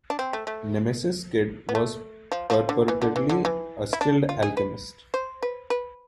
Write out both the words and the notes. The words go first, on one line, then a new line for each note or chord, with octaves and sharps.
Nemesis Kid was purportedly a skilled alchemist.
D4
C4
A3
A3
B3
A3
F3
F3
D3
E3
D3
E3
D3
E3
E4
D4
F4
G#4
B4
C5
B4
B4